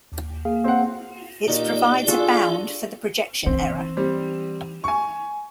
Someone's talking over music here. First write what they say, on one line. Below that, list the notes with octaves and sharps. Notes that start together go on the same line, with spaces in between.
It provides a bound for the projection error.
D#2
A#3 G#4 F5
C4 F#5
A#2 D#4 F#4 G4 A#4 D5
D4 F4 F#4 G#4 A4
E3 C4
G3 C4
G#5 C#6